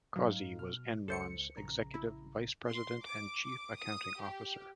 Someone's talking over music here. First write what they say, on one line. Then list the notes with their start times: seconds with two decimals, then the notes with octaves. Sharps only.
Causey was Enron's Executive Vice President and Chief Accounting Officer.
0.16 G#2 F#3 D#4 F5
0.59 B2 F6
1.08 C#2 A4 C5 C#7
1.57 A#1 C#3 A#5
1.94 E4
2.69 C6
3.05 D6
3.42 D6
3.77 D#6
4.21 G4